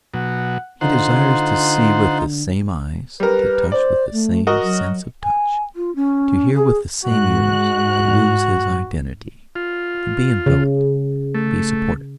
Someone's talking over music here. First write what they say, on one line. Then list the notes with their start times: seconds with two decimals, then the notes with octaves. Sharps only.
He desires to see with the same eyes, to touch with the same sense of touch, to hear with the same ears, to lose his identity, to be enveloped, to be supported.
0.14 B2 F#3 F#5
0.81 D3 D#4 F4 C5 F#5
3.20 G3 A#4 B4
3.72 C5 D5
4.13 A3
4.47 F#4 A#4 D#5
4.63 F#3
5.24 G#5
5.76 F4
5.96 C#4
6.54 G#4
7.05 G#2 F#4 F#6
9.55 F4
10.46 C#3
11.34 A3